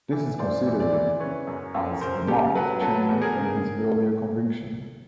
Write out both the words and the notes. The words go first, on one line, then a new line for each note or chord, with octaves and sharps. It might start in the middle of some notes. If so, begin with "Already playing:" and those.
This is considered as a marked change from his earlier convictions.
E3
F#2 C5 D5
E3
C5 D5
E3
C#3 B4 C#5
F#2
F#2
C#3 A#4 C5
C#3 G4 A4
F#3 A4 B4
F#3 A4 B4
E2
G#4 A#4
C#3